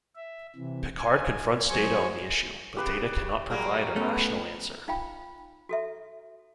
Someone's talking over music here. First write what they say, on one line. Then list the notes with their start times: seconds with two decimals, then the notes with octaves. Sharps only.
Picard confronts Data on the issue, but Data cannot provide a rational answer.
0.15 E5
0.55 C3 E3
0.98 G#5
1.69 F#3 G#4 C5 G#5 C#6
2.77 C#3 G4 B4
3.50 F#3 G3 A#3 G#4
3.96 A3 B3 C#4
4.88 D#4 F4 F5 G5 B5
5.69 F#4 A4 E5